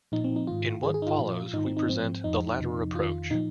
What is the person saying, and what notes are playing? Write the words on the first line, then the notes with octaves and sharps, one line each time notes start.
In what follows we present the latter approach.
A#2 F3 D#4
C4
D#4
G#2 D#3 F4
G#2 D#3 G#4
G#4
D#4
F4
A#2 F3
G#2 D#3 D#4
C4
D#4
G#2 F3 C4
F2 F3 D#4
F2 C3 F3
F2 D#3 F4
A#2 F3 D#4